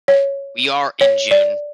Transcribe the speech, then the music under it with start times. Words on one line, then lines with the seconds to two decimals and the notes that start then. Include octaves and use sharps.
We are in June.
0.08 C#5
1.01 C#5
1.31 D5